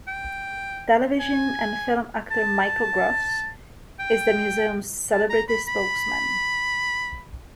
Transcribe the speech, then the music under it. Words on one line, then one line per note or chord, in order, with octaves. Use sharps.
Television and film actor Michael Gross is the museum's "celebrity spokesman".
G5
G#5
A5
G5
A5
A#5
B5
B5